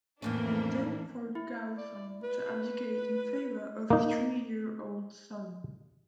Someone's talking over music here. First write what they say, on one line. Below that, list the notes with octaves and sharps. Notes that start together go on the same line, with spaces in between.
They then forced Gaozong to abdicate in favor of his three year old son.
F2 A2 E3 A#3 C#4 D4
E4
D5
B4
A#3 D#4